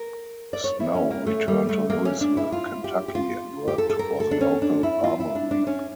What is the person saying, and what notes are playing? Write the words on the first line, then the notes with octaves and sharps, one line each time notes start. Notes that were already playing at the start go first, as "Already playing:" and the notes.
Snow returned to Louisville, Kentucky and worked for the local armory.
Already playing: A#4
D5
C#5
E4
C#4
A#3
A3
G3
A3
A#3
C#4
D4
E4
F4
G4
G4
F4
G4
A4
A4
A#4
A4
D4
C#4
D4
E4
F4
E4
D4
D4
C#4